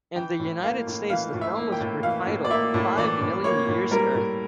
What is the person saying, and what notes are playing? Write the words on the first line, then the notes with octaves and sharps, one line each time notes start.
In the United States the film was retitled "Five Million Years to Earth".
E3 G5
A2
A#3 F5
A2
E3 F5
A2
E5
A#3
G5
A2
E3 F5
A2
D5
A#3 E5
A2
E3 D5
A2
A#3 C#5
A2
G3 A#4
A2